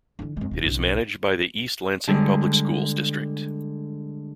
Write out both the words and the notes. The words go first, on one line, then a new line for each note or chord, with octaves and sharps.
It is managed by the East Lansing Public Schools district.
D3 E3
F2 G#3
D#1 C#3
B1 C#3
D3 G3 G#3